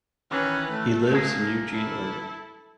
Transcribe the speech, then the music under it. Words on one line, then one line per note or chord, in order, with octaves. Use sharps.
He lives in Eugene, Oregon.
D#3 E3 C#4 B4
A3
C2 A#3 G#4
E4 A4